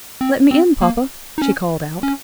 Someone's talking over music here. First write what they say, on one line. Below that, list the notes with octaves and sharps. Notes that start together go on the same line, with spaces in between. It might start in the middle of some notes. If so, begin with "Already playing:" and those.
"Let me in, papa," she called out.
C4
C4
A#3
D#4
C#4
C#4